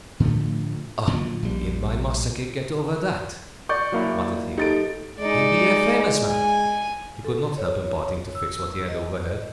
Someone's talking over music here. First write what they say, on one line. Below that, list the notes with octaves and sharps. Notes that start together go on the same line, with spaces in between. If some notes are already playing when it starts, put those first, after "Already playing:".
"Ah, if my master can get over that," muttered he, "he'll be a famous man!" He could not help imparting to Fix what he had overheard.
A2 D3 F3 A3
A#2 D3 F3 F#3
A#1 G3
D5 C#6 G6
F#3 A#3 E4
D#4 G4 A4 A6 D7
G#3 D#4 D5
G#5
A4
C#5
E6
D#5